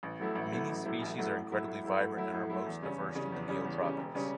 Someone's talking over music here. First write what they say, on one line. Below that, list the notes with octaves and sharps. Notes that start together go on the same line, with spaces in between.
Many species are incredibly vibrant and are most diverse in the neotropics.
A1
A2 F#3 A3 E4
A1
A2 F#3 A3 E4
A1
A2 F#3 A3 E4
A1
A2 F#3 A3 E4
A2
F#3 A3 E4
A2
F#3 A3 E4
A2
F#3 A3 E4
A2
F#3 A3 E4
E2
C#3 G3 C#4
E2
C#3 G3 C#4
E2
C#3 G3 C#4
E2
C#3 G3 C#4
E1
C#3 G3 C#4